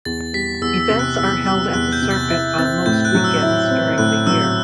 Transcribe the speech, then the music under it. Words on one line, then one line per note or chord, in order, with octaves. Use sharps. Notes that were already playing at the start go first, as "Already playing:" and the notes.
Events are held at the circuit on most weekends during the year.
E2 A6
G3 B6
E2 E6
E6
C3
F#6
E2 E6
G3 E6
E2 F#6
G6
C3
A6
E4 A6
C4 A6
A2 G6
F#6
F#3
E6
E4
C4
A2 F#6
F#3 E6